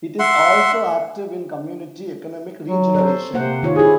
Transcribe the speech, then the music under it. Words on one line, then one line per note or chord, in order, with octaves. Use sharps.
It is also active in community economic regeneration.
E5 F#5 C6
F#3
A4 C5
C3 A#3 C5 F#5
D#3 F4 C#5
E4 G4 G#4